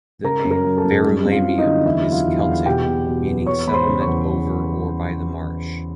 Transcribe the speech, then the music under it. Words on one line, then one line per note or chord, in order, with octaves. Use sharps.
The name "Verulamium" is Celtic, meaning "settlement over or by the marsh".
C#3 A#4 A#5
F#2
A#4 A#5
F#3
A4 A5
F#2
G3
C4
F4 F5
E4
D#4 D#5
D3
E2 E4 E5
F#3
F4 F5
E2
F4 F5
E2
B2 G4 G5
B2
B2
B3
E2 C#5 C#6
E2 B5
C5 C6
C#3
C#5 C#6
E2